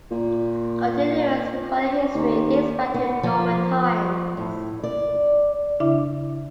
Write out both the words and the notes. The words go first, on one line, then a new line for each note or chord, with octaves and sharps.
Continuous recorded history dates back to Norman times.
A#2
D#2
B3
F3
A2
D5
C#3 D4 E4 E5 D6